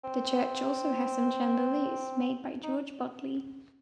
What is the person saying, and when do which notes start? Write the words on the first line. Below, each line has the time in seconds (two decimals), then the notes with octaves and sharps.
The church also has some chandeliers made by George Bodley.
0.04 C4
2.63 D#4